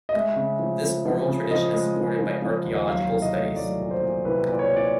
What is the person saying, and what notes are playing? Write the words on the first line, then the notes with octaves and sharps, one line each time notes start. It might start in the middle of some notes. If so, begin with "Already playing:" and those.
This oral tradition is supported by archaeological studies.
D#5
G#3 E5
C#3
F3
F3
F3
C#3
F3 D#5
G#3
F3
F3
F3
D#2
F#3 F5
C2
D#5
A3
F#3 D5
A#2
C5
A#2
C2 B4
A#2
D5
C#5
A#2
D5